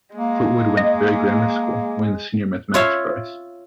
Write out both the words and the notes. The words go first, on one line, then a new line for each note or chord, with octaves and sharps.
Foote Wood went to Bury Grammar School, winning the Senior Mathematics prize.
G#3 A#3
D#5
F4 C#5 E5 F5